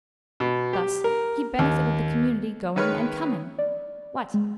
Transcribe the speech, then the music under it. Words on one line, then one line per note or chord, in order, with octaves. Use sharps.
Thus he "benefited the community going and coming." What!
B2
G4
A#4
D#2
D#3 G#3 B4 C#5 F6
D5
G#3